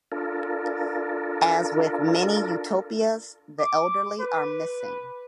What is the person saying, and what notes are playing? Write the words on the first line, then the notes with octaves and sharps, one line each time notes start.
As with many utopias, the elderly are missing.
D4 F4 A4 A#4
D6
B4